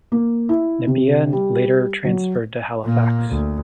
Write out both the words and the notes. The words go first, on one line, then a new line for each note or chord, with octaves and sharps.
Nepia later transferred to Halifax.
A#3
E4
C3
G3
F#3
A#2 A#3
D2